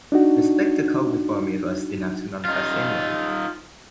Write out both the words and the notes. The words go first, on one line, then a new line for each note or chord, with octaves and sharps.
The spectacle before me was enough to nonplus anyone.
D4 D#4 F#4
D#4 F4